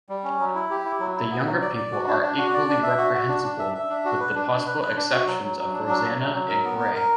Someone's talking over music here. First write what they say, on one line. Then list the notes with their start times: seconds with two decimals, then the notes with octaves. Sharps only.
The younger people are equally reprehensible, with the possible exceptions of Rosanna and Gray.
0.09 G3
0.24 C#4
0.39 F#3
0.55 E4
0.70 G4
0.85 E4
1.00 F#3
1.16 E4
1.31 B3
1.46 F#3
1.61 D5
1.76 D5
1.92 F#4
2.07 D4
2.22 D4
2.38 F#4
2.53 D5
2.69 D4
2.83 E5
2.98 F#4
3.14 F#4
3.28 D4
3.43 D4
3.59 E5
3.74 E5
3.90 D4
4.05 F#4
4.20 B4
4.35 D4
4.51 D4
4.66 B4
4.81 B4
4.96 D4
5.12 F#4
5.27 F#3
5.42 F#3
5.58 F#3
5.73 D4
5.88 F#3
6.03 F#3
6.19 F#3
6.33 F#3
6.48 A#4
6.64 B3
6.80 A#4
6.95 A#4